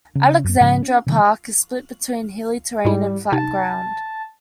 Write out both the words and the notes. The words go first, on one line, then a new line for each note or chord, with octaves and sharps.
Alexandra Park is split between hilly terrain and flat ground.
C#3
F#2
G#2 C#3 F3
C#4
C3 D#3 G3
G#2 G3 E4
C3 D#4 A5